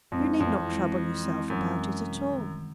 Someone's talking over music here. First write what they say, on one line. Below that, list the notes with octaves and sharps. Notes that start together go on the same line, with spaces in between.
You need not trouble yourself about it at all.
F2 G#3 C4 E4
F2 E3
G#3 C4 E4
E3
G#3 C4 E4
F#2 E3
G#3 C4 E4
C3
D#3 G3